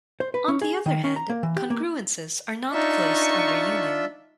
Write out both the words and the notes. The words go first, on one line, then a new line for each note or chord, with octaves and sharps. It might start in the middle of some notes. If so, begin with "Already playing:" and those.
On the other hand, congruences are not closed under union.
C5
B4
C#4
G#4
D#3
C#4
A#5
A#3
E3
G4
A#3
D4 D#4 F4 E5 C#6